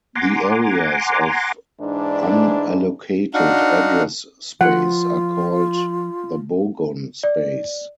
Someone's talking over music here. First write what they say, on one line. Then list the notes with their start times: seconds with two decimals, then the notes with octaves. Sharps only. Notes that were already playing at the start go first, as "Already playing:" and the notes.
The areas of unallocated address space are called the bogon space.
0.15 F#5 G#5 A#5 C6 D6
1.81 G#2 E3 D4
3.34 D4 D#4 F#4 F5 F#5
4.61 F3 F4 F#5
7.23 D5